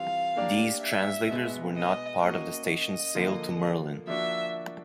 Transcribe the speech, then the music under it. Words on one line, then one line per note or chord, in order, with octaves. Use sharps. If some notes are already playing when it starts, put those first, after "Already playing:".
These translators were not part of the station's sale to Merlin.
Already playing: E3 G3 C4 F4 F5
A#3 D4 G4 A#4 D5
E5
B2 G#3 B3
D#5
A#3 C#4 F#4 D#5
D#5
D3 F3 A#3
F3 A#3 D4 F#4 E5